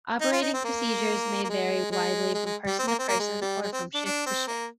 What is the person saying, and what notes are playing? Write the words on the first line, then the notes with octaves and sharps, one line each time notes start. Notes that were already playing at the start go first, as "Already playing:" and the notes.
Operating procedures may vary widely from person-to-person or from shift-to-shift.
D#4
F4
D#4
C4
A#3
A#3
G#3
G#3
G#3
G#3
G3
C4
A#3
C4
A#3
G#3
G3
G#3
C4
D4
D4
C4
A#3